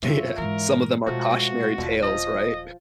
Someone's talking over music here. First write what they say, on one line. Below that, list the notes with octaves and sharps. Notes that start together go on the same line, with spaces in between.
Yeah, some of them are cautionary tales, right?
F#2 D#3 F4 C#5 E5
G#2 E3 A#4
B2 F3 F#3 G#3 A3 F#4
D#1 B2 D3 F4
F3 D#5